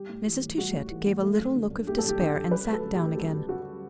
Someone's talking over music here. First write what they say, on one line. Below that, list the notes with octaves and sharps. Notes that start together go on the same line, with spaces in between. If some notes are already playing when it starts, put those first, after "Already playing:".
Mrs. Touchett gave a little look of despair and sat down again.
Already playing: G3 G4
A2
E3
A2
G3 F#4
A2
E3
A2
A3
F#2
D3
F#2
A3 G4
A4
F#2 G4
D3 G4
F#2
G3 B4
D2 A4
C#3
G4
D2
G3 F#4
D2
C#3 F#4